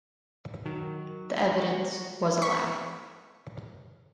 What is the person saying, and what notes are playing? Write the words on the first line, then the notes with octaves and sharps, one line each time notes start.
The evidence was allowed.
D#3 F#3
F#3 F#4
C#6 B6